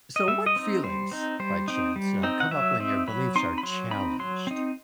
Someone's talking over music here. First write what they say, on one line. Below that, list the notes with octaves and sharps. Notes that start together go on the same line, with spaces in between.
So what feelings, by chance, uh, come up when your beliefs are challenged?
D#5
G3 E5
D#5
C4 D#4
G3 C5
C4 D#4
G3 C5
C4 D#4
G3
C4 D#4
F#5
F#3 E5
C4 D#4
F#3 B5
C4 D#4 C6
B5
F#3 C6
C4 D#4 B5
F#3 C6
C4 D#4